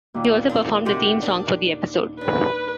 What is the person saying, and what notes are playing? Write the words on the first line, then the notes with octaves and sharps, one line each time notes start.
He also performed the theme song for the episode.
D#2 A#2
C4 D4
C3 F#4 G4
D4
D4 B4